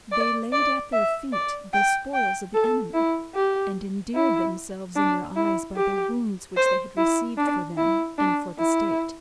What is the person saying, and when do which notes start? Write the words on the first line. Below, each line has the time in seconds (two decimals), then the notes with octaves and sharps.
They laid at their feet the spoils of the enemy, and endeared themselves in their eyes by the wounds which they had received for them and for the state.
0.12 D5
0.52 D5
0.93 E5
1.33 D5
1.73 G5
2.14 G5
2.54 A4
2.94 E4
3.35 G4
4.15 E4
4.96 D4
5.36 E4
5.76 G4
6.57 C5
6.97 E4
7.37 D4
7.77 E4
8.18 D4
8.58 E4